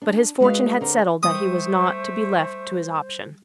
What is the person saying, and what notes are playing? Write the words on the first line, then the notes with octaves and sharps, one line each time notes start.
But his fortune had settled that he was not to be left to his option.
D4
G#3 B3 F#4 B4 F5
D3 A#4 C5
G3 A3 C5 D#6